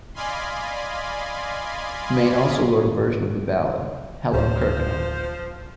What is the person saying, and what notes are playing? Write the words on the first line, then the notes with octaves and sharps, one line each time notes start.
Mayne also wrote a version of the ballad, "Helen of Kirkconnel".
D5 D#5 F5 G#5 B5 C6
D1 F3 C5